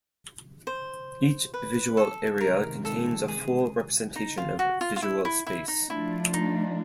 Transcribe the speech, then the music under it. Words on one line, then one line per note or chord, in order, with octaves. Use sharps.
Each visual area contains a full representation of visual space.
C5
B4
A4
C3 D#3 G#3 A#4
A4
G#4
D#4
F4
F#4
F4
F4
E4
E4
E4
D#4
F3 A3 D4 E4 F4
D#4